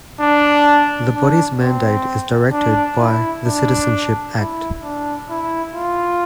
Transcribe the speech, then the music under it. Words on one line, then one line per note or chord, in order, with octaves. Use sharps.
The body's mandate is directed by the Citizenship Act.
D4
D4
C4
D4
E4
D4
E4
D4
E4
F4